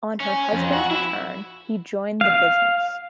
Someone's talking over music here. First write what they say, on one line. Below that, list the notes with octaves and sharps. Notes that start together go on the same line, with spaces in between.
On her husband's return, he joined the business.
C#4
F2
F#4
E4
F5